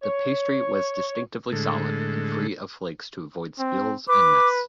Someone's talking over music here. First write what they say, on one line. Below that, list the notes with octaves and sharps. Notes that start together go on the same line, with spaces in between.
The pastry was distinctively solid and free of flakes to avoid spills and mess.
C#5
A2 D3 G#3 A4
C4
B4 D6